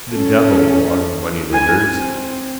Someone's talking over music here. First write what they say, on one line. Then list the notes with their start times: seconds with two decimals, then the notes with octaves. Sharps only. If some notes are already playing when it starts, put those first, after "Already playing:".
The devil on moneylenders.
0.14 C#4 A4
1.49 E4 G#5
1.87 C4